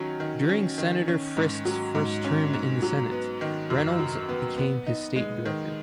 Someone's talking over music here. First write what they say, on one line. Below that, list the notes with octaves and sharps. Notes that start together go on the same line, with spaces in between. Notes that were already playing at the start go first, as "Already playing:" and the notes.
During Senator Frist's first term in the Senate, Reynolds became his state director.
Already playing: D#3 F#3 C#4
D#3
C#4
D#3
C#4
G#2
F#3
G#2
C#4
G#2
F#3
B3
D#3
F#2
F#3
B3
B3
D#4
G#3
D#3